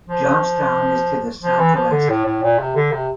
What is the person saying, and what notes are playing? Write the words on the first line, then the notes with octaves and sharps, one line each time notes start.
Johnstown is to the southwest.
F3
F3
E3
F3
D3
A2
A2
A#2
C3
D3
C3